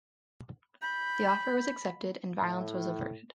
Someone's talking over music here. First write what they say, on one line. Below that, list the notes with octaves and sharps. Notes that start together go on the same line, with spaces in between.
The offer was accepted, and violence was averted.
B5 G6
A2